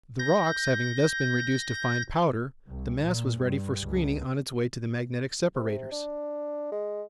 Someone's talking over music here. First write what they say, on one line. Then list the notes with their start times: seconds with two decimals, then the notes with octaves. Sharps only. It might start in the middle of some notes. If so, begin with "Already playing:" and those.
The rocks having thus been reduced to fine powder, the mass was ready for screening on its way to the magnetic separators.
0.19 G6 A#6
2.69 C2
3.02 A#2
3.41 G2
3.82 C#2
5.55 C3
5.91 D4
6.72 G#3